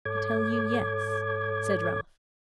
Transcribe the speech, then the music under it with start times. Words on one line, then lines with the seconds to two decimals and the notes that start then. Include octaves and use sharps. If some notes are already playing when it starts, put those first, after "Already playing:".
I tell you yes,' said Ralph.
0.05 G#2 A4 C#5 D6 G#6